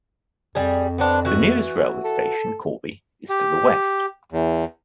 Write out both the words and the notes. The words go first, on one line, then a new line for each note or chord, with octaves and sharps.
The nearest railway station, Corby, is to the west.
F2 G3 G#4
B3 C4 D4
E3 F#4
A4
G4
E2